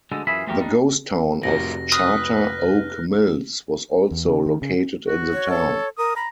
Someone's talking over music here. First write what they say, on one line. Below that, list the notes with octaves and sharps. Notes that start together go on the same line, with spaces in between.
The ghost town of Charter Oak Mills was also located in the town.
D2 D3 G#3 A4
F#2 E3 F4 G#4 E5 B5
A3 B3 C4 F#4 G4 A#4
G3 D4 D#4
F1 A2 F#4 G4 A#4 A#6
B4 D#6 F6 F#6 A#6
E2
C#3
D#3
C#3
F#4
C#5
A4
A#4 D#6
A#5 B5